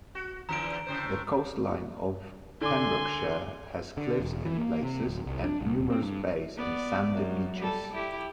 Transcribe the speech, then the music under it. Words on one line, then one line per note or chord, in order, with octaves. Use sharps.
The coastline of Pembrokeshire has cliffs in places, and numerous bays and sandy beaches.
F#4
E2 D3 E3 A#5 D7
A2 C#3 C5
D3 G#5 C6 D6
D3
E1
E3
A#3
C3
D1
C2
D4
C2
D#1
C4
G2
B3 D5
F#2
G3 A4
E4 G4